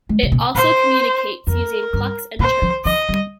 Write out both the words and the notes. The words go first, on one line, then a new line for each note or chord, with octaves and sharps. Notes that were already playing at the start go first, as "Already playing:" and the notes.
It also communicates using clucks and chirps.
G#3
C3
A#2
A#2 C5
F2 A#4
G2
A#2 C5
F3
F3 D#5
G3